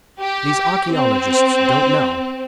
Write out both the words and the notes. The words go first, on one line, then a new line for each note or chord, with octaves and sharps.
These archaeologists don't know.
G4
C4